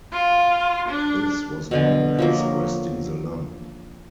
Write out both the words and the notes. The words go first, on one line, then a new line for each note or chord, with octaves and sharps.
This was known as "resting the lung".
F4
D4
B2 D3 G#5
F3 F#3 A#3